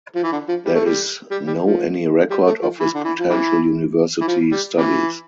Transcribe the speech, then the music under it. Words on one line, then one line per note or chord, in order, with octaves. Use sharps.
There is no any record of his potential university studies.
F3
E3
D3
F3
G3
A3
G3
G3
G3
F3
G3
A3
F3
E3
D3
E3
F3
C3 E3
E3
F3
G3
C3 E3